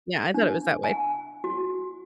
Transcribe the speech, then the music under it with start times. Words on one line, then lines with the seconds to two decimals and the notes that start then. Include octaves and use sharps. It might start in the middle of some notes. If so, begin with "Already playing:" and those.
Yeah." I thought it was that way.
0.34 D4
0.84 G#5
1.44 F#4